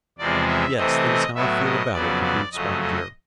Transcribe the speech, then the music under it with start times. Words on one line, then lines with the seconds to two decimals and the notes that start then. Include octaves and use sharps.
"Yes, that is how I feel about it," agreed Spotted Deer.
0.18 E2 C3 F3 G#3 C4 D5
0.47 E5
0.77 C3 E3 A3 C4 D#5
1.35 A2 F#3 B3 E5
1.65 D#5
1.94 F2 C#3 F#3 B3 D5
2.23 D5
2.52 F2 C#3 F#3 A3 D#5
2.82 D#5